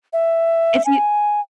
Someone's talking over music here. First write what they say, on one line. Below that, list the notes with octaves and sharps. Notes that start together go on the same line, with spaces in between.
If you
E5
G#5